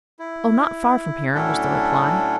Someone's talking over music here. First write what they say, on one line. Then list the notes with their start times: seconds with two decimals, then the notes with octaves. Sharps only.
'Oh, not far from here,' was the reply.
0.19 E4
1.35 A2 F#3 C#4 D4 E4 A4